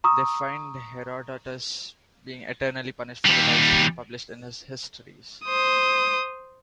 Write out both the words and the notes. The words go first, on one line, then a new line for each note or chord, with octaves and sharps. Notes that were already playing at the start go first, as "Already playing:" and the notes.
They find Herodotus being eternally punished for the "lies" he published in his "Histories".
A#5 C#6 D#6 E6
D#2 G3
C5 D#6